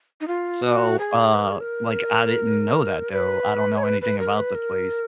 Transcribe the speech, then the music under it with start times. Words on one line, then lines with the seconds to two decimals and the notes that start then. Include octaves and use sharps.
So, uh, like, I didn't know that, though, I don't know anything about the place.
0.21 D#4
0.28 F4
0.63 F#4
0.99 G#4
1.34 B4
1.43 A#4
1.52 G#4
1.60 A#4
3.11 B4
3.77 C#5
3.83 B4
4.02 B4
4.19 A#4
4.36 B4
4.55 A#4